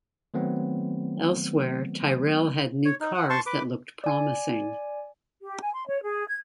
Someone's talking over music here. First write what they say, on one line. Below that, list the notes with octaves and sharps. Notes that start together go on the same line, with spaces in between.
Elsewhere Tyrrell had new cars that looked promising.
D#3 F#3 A3 B3 C4
C#5
D#4
F#5
A5 C6 C#6
B4 D6
D5 G#5
G4
G#5
C6
C#5
G#4
G#6